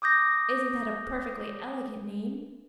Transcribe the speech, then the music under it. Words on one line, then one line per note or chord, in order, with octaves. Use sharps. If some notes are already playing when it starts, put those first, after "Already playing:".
Isn't that a perfectly elegant name?
D6 D#6 G6 A#6